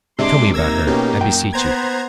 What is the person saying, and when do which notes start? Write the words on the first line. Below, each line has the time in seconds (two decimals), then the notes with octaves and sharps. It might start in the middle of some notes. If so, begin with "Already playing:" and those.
Tell me about her, I beseech you.
0.19 C3 G#3 D4 E5 C6 D6
0.54 A#3 D#4 E6 G#6 A#6
0.87 B2 C#4 G4
1.21 F#2 G5
1.53 B3 C5 A#5 G#6